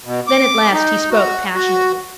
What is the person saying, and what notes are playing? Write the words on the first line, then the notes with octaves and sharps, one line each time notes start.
Then at last he spoke passionately.
B2
D6
D#4
F#4
F#4